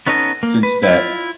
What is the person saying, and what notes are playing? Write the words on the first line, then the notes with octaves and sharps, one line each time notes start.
since that
B3 C#4 D#4 A4 D#5
A#3
B4
E4 F4